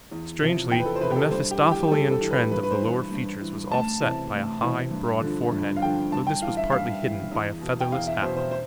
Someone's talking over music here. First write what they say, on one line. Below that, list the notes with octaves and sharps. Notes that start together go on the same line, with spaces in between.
Strangely, the mephistophelean trend of the lower features was offset by a high, broad forehead, though this was partly hidden by a featherless hat.
E2
C3 F3
E2 G5
B4
A4
C5
C3 F3 B4
G4
A4
G2 C5
G4
E3
G4
G4
G2 A4
A4
E3
B4
G2 B4
B4
C5
E3
G2
E3
D2 A5
C3 E3
D2
C3 E3
G2
D3 F3
G2
F5
D3 F3 G5
G2 A5
G5
E3 F5
E5
G2 F5
E3
E2
B2
G5
E2 F5
E5
B2 C5
C5
C5